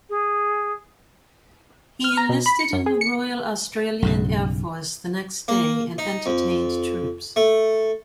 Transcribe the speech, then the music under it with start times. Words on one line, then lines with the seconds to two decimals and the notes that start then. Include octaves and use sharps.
He enlisted in the Royal Australian Air Force the next day and entertained troops.
0.09 G#4
2.04 F6
2.17 A#5
2.29 B2
2.46 B5
2.59 C#7
2.73 F#2
2.86 G#4
3.01 C#7
4.02 B1 G2 C#3
5.48 A#3
5.98 D#4
6.26 F2
7.36 A3